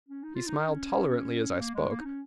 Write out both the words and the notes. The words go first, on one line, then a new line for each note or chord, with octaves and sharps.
He smiled tolerantly as I spoke.
C#4
D#4
F4
D#4
D#4
C#4
A#3
G#3
A#3
D#4
C#4